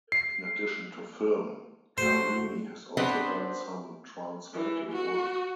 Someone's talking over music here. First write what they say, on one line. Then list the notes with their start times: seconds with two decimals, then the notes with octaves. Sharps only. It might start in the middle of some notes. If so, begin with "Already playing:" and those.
In addition to film, Karimi has also done some translating work.
0.12 C7
1.98 A3 F#4 C5
2.97 B3 C4 D4 B4 C5
4.53 E3
4.91 F#4